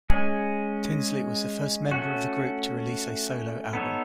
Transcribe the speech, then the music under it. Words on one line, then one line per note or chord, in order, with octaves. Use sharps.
Tinsley was the first member of the group to release a solo album.
G#3 C#4 G#4
A3 C#4 F#4
B3 D#4 A4 C#5